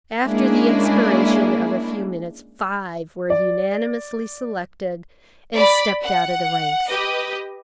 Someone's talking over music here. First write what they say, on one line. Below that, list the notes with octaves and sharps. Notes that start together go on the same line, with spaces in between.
After the expiration of a few minutes, five were unanimously selected and stepped out of the ranks.
G#3 A#3 C#4 D4 E4 G#4
D5
D5 B5
F#5
G4 B4 D#5